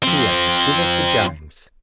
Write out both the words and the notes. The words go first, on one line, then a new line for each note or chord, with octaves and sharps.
"Here, give us a james."
F3 C4